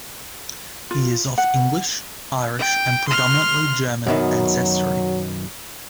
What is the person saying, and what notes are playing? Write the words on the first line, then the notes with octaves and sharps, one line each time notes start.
He is of English, Irish, and predominantly German ancestry.
F4
F#5
G5
C6 F6
F#2 B2 D#3 F#3